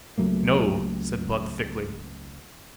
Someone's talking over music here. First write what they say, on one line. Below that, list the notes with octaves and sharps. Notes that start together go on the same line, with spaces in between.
"No," said Blood thickly.
C#2 F#3 A3 A#3